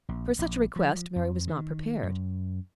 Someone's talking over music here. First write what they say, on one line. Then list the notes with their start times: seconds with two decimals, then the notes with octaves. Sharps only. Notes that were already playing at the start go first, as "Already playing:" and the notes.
For such a request Mary was not prepared.
0.09 A#1
0.39 A#1
0.76 F3
1.16 F2
1.48 D#3
2.03 F#2